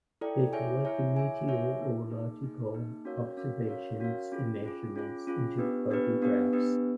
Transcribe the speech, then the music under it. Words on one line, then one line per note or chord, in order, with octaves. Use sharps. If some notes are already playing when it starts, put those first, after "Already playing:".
They collected meteorological observations and measurements and took photographs.
E4 A4 D5 G5
E4 G#4 C#5 E5 G#5
E4 G#4 C#5 E5 G#5
E4 G#4 C#5 E5 G#5
E4 G#4 C#5 E5 G#5
A#3 D#4 G#4
A#3 D#4 G#4
A#3 D#4 G#4
A#3 D#4 G#4
C#4 F#4 A#4 C#5 F5
C#4 F#4 A#4 C#5 F5
C#4 F#4 A#4 C#5 F5
C#4 F#4 A#4 C#5 F5
C#4 F4 G#4
C#4 F4 G#4
C#4 F4 G#4
C#4 F4 G#4
B3 D4 G4 B4
B3 D4 G4 B4
B3 D4 G4 B4
B3 D4 G4 B4